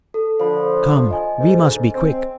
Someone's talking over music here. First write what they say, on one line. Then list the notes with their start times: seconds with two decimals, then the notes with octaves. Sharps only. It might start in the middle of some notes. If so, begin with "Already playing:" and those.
Come, we must be quick!
0.14 A4
0.40 D3 F3 C5 B5
1.11 D#5 G#5
1.39 D2 G#2
1.94 C4